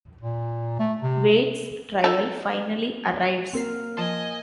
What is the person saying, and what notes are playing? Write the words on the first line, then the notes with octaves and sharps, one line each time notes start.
Wade's trial finally arrives.
A#2
A3
C3
D#4 A4
A#3 C4 A#4 C7
F3 D#5 G#5 A5 C6